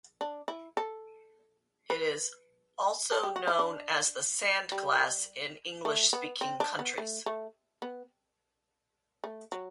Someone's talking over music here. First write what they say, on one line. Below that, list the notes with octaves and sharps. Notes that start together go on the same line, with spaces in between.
It is also known as The Sandglass in English speaking countries.
D4
E4
A4
B4
A4
G4
F#4
E4
D4
G3
A3
B3
C4
D4
B3
A3
A3
B3
A3
F#3